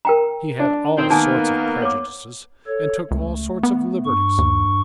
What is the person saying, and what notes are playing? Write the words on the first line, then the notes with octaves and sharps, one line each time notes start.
He had all sorts of prejudices and took all sorts of liberties.
A#4 G5 A#5
D4
D#3 C4
D#3 A#3 B3 G#5 A5
C#5 D6
A4 C#5
C#2 A3
B3
G2 C#6
D#2